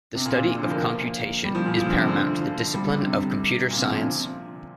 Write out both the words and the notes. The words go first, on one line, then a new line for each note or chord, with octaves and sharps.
The study of computation is paramount to the discipline of computer science.
C3
A#2
A#2
D3
F3
A#3
G3
F3
A#2
F3
D3
C3
D3
F3
G3
G3
D3
C3
A#2
C3
F3
D3
C3